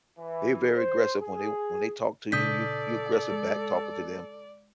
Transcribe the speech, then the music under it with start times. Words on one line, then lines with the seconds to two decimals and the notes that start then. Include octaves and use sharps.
They're very aggressive when they when they talk to you, you you aggressive back talking to them.
0.19 E3
0.76 C5
1.20 G#4
2.32 A#2 C#3 D4 A4 D5 D#6 G6 B6
3.32 G#3